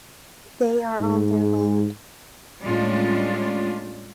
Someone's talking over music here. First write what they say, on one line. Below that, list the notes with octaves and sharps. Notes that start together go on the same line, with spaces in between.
They are on their land.
G#2
A2 G3 G#3 C#4 D4 F4